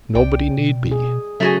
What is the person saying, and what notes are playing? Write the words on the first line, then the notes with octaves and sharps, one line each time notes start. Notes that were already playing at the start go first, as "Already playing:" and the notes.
'Nobody need be.
C2 D5 G5
B2
G#4
C#3 F#3 A3 F#4 G#4